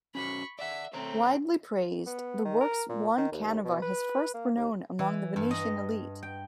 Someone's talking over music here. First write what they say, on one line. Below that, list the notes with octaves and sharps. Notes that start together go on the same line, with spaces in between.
Widely praised, the works won Canova his first renown among the Venetian elite.
C#4 F#4 C5 B5 C#6
D5 E5 F#5
A3 C4 C5 C#5 A#5
B3
D#3
A#4
A#2
D#3
D#2
B2
B4
A#3
D#2
E3
G2
D#5
G5